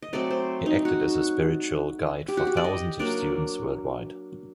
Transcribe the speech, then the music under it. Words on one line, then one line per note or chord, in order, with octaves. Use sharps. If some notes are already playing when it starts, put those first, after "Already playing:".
He acted as a spiritual guide for thousands of students worldwide.
D#5
F#3 A3 C4 D5
C5
D#4
F#4
G4
F#4
G4
D5
D#5
F#3 A#3 D4 D5